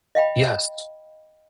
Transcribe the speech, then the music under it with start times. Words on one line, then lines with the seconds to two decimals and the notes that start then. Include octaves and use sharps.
Yes, t
0.15 D#5 F5 G5 B5